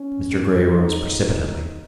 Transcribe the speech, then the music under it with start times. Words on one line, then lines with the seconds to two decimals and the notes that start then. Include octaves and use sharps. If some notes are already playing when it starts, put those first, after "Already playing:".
Mr. Grey rose precipitately.
Already playing: C#4
0.27 F#2 D#3 G3
0.76 G#2 D#3 F#3 D#4